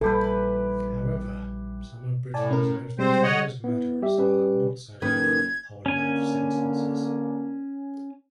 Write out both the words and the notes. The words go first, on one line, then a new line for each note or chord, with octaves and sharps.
However, some of Britain's most notorious murderers are not serving whole-life sentences.
A#1 E3 G3 G4 A4 B4
A2 D5 G#5 A5
C#4 A#4
G3 G#3 C4 C5
C#5 D#5 F#5
B3 E4
G3 G4 E5
G3 C#4 G4 B4
F#1 A2 D#3 B4 G#6
D3 A#3 C#4 G#5